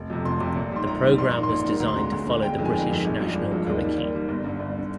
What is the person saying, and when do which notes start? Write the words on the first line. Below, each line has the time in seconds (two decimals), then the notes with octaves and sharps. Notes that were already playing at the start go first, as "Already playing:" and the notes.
The programme was designed to follow the British National Curriculum.
Already playing: F1
0.10 F2 C3
0.25 F1 C6
0.40 F2 C3
0.55 A#1
0.72 G#2 G3 C6
0.86 A#1 A#5
1.03 G#2 G3
1.18 A#1 C6
1.31 G#2 D#3 A#5
1.43 C6
1.49 A#1
1.64 G#2 D#3
1.80 D2 A#5
1.88 C6
1.96 D3 G#3 A#5
2.12 D2
2.27 D3 G#3
2.42 G1 G5
2.58 F2 D#3 G#3
2.65 G#5
2.73 G1 G5
2.90 F2 D#3 G#3
3.05 G#1
3.20 G2 F3 G#3
3.35 G#1
3.51 G2 F3 G#3
3.67 D#2
3.83 D#3 G3
3.98 D#2
4.13 D#3 G3
4.29 G1
4.44 G2 D3
4.60 G1
4.79 D3